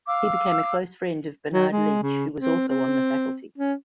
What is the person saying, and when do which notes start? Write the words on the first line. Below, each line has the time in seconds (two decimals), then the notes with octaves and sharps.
He became a close friend of Bernard Leach, who was also on the faculty.
0.08 F5 D6 E6
1.53 F#3
1.71 G#3
2.03 C#3
2.39 C4
2.68 C4
3.58 C#4